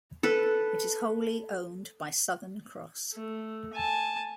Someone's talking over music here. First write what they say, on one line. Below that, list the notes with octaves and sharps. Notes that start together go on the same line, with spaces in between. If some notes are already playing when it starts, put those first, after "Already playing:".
It is wholly owned by Southern Cross.
A4 B4
A3
G#5 A5